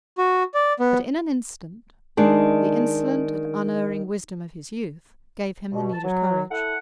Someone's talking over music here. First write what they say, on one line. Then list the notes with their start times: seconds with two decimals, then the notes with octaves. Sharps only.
But in an instant the insolent and unerring wisdom of his youth gave him the needed courage.
0.18 F#4
0.54 D5
0.80 B3
2.17 D#3 G#3 D4
5.72 G2 B2
5.93 A5
6.04 F#3
6.51 E4 A4 F#5